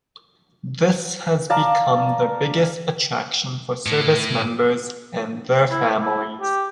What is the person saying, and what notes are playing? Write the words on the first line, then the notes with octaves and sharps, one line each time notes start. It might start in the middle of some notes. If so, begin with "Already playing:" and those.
This has become the biggest attraction for service members and their families.
D5 F5 A5 A#5
A2
E4
E4
G4